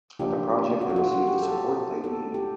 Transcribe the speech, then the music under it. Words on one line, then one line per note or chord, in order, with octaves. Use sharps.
At the project they receive the support they need.
C#3 F3 A#3 D4 F4 G4
F#4
F4
F#4
F#4
G4
A4
A4
G4